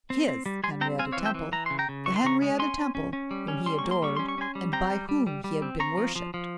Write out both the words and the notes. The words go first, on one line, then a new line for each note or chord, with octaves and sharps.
His Henrietta Temple, the Henrietta Temple whom he adored, and by whom he had been worshipped!
C4
C4
G3
G3 G#5 C6
C4 G5 A#5
C4 F5 G#5
C#5 F5
E3
E5 G5
E3
E3 A#5
C#3 C6
G5 A#5
C#3
E3 C#6
C6
C#3 A#5 C#6
G#3
C#4 G#5 C6
C#4
C#4
C#4
G3
C#4
G3 C6
C#6
A#3
C6
G3 C#6
C#4 C6
C#6
C#4 G#5 C6
G3
C4 G5 A#5
G3
G3
G3
G3
C4
C4 A#5 C#6
F3
F3
F3